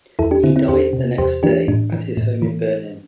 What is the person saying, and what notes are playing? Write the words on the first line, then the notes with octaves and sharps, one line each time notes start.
He died the next day at his home in Berlin.
E2 E4 A4
D4 G4
D3 C4 E4
C4 E4
E2 G4 C5
C3
E2 G4 C5
E3 D4 G4
A2 D4
E3
A2
E3